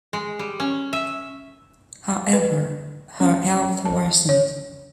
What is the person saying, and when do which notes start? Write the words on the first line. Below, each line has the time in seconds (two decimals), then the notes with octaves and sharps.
However, her health worsened.
0.13 G#3
0.39 G3
0.60 C#4
0.93 E5
2.33 B4
3.20 C#4
3.85 A5
4.29 C#5